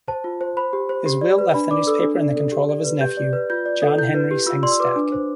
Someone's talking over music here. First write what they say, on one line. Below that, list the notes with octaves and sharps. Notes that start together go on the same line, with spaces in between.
His will left the newspaper in the control of his nephew, John Henry Sengstacke.
C5 A5
F4
C5
C5 B5
G4
C5
G4
D5
B4
D4 B5
D5 D6
A4 E6
D4
D5
A4
G4
D5
B4
G4 G6
D5
B4
F4 G6
D5
A4
E4 G6
B4
G4
F4 E6
D5 C6
E6
B4 D6
D4
C5